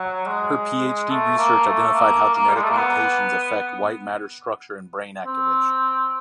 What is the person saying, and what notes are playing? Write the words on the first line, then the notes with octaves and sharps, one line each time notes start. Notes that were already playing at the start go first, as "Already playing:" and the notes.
Her PhD research identified how genetic mutations affect white matter structure and brain activation.
Already playing: F#3
G#3
A3
A#3
A3
A#3
A#3
G3
G#3
A3
A#3
B3
C4